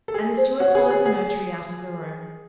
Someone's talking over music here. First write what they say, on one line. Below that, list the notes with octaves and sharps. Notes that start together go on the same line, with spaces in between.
And the steward followed the notary out of the room.
A4
G#4
C5
F#4 C#5
G#4
G#4
G#4